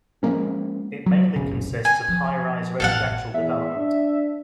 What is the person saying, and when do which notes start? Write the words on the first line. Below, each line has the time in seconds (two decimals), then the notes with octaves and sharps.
It mainly consists of highrise residential development.
0.23 F3 G#3 A#3 C#4
1.06 F#3
1.36 F#1 B1 C#3
1.85 G#5
2.08 F3
2.80 A1 F2 A4 F5 F#5
3.34 E2 E5
3.76 D4